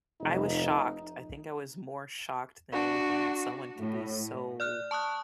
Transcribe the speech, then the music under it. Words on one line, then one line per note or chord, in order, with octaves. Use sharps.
I was shocked. I think I was more shocked than anything that someone could be so
F1 D#4
D4 F#4
A2
D5 F6 F#6
A5 C#6 D#6 F#6